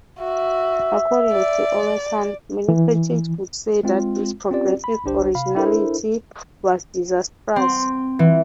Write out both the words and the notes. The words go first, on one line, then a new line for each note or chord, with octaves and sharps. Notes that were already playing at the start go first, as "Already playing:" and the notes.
According to Olleson, many critics would say that this progressive originality was disastrous.
F#4 E5
D5
E3
G#3 C4 F4
C4 C#4 F4 G4 D5
B5
G1 C2 D4 G4 C5
C3 F5 B5
D4 E4 A4 A#4 C5
C4
E3